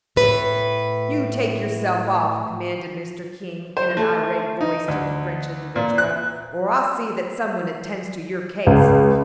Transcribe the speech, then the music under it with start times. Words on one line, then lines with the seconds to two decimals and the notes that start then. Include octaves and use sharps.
"You take yourself off," commanded Mr. King, in an irate voice to the French individual, "or I'll see that some one attends to your case."
0.16 A2 B4
3.77 C5
3.97 A3
4.61 D#4
4.88 D2
5.76 A#2
5.98 F#6
8.67 C#2